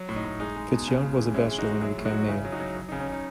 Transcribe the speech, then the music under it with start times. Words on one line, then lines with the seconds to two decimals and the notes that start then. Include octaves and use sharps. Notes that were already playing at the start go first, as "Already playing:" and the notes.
FitzGerald was a bachelor when he became mayor.
Already playing: F#3
0.09 A2
0.16 D#4
0.24 A2
0.40 G#3 D#4
0.56 G#3
0.71 B2
0.87 C#3
1.03 G#3
1.19 E3
1.34 G#3 C#4 E4
1.51 G#3
1.58 D#4 F#4
1.66 G#3
1.81 F#3 E4 G#4
1.98 A2
2.05 D#4 F#4
2.13 F#3
2.28 C#3 C#4 E4
2.45 F#3
2.52 D#4 F#4
2.60 F#3
2.77 F#3
2.89 D#4
2.92 C#3
3.00 C#4
3.08 C#3 D#4